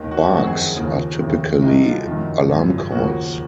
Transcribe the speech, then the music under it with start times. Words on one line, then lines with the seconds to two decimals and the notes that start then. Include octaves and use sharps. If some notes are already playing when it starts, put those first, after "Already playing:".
Barks are typically alarm calls.
Already playing: D#2 D#3 A#3
0.11 F#4
0.33 F#1 F2 D#3 F#3 C4 F#4
0.46 G#4
0.62 G#4
0.76 D#2 C#3 F3 A#3
1.20 F1 D#2 C#3
1.62 C2 C3 F#3 C4 D#4
1.84 F4
2.05 F#1 F2 D#3 F#3
2.48 G#1 F#2 C#3 F3
2.91 D#2 C#3 F3 A#3 F#4